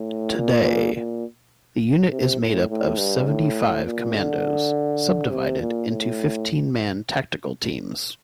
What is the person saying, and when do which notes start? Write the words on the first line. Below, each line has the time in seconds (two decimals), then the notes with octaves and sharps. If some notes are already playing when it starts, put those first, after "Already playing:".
Today, the unit is made up of seventy-five commandos, subdivided into fifteen-man tactical teams.
Already playing: A2
0.36 A#2
0.94 A#2
2.11 C3
2.40 A2
2.69 A2
2.98 G2
3.27 A2
3.85 A#2
4.15 D3
5.31 C3
5.60 A#2
5.89 A2